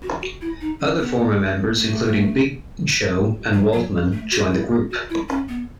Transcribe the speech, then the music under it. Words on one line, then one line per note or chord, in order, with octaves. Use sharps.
Other former members, including Big Show and Waltman, joined the group.
F#4
F#4
E4
D#4
C#4
B3
A3
F#3
F#3
A3
F#4
E4
F#4
E4
C#4
B3